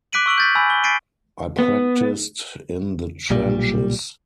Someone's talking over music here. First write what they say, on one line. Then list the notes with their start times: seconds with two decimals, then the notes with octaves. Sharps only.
I practised in the trenches.
0.13 D6 F#6 B6 D7 D#7 F#7
0.26 C#6 E6 D7 F#7
0.38 G6 A6 B6
0.55 G#5 B5 E6
0.70 G7
0.84 A6 B6 C7 D7 D#7
1.59 B3
3.30 B1 A#2 G3